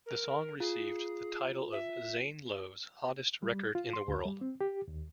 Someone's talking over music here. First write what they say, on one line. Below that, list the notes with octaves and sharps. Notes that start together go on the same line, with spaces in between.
The song received the title of Zane Lowe's "Hottest Record in the World".
A#4
F4 G#4
E5
G3
F4
C6
D2
G3
C4
G4
D#2